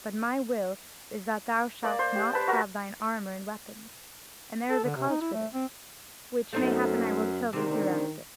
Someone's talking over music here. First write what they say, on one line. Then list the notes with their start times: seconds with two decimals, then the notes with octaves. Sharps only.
But my will is that thou shalt not have thine armour and weapons; and there is a cause for this, which mayhappen I will tell thee hereafter.
1.83 A#3 D5
1.99 C5
2.15 G4
2.33 B4 A5
2.47 F#4 A#4
4.70 A4
4.84 D3
4.96 C3
5.09 D#4
5.21 E4
5.34 A3
5.54 C4
6.53 F#2 A3 C4 D#4
7.53 D2 C3 D#3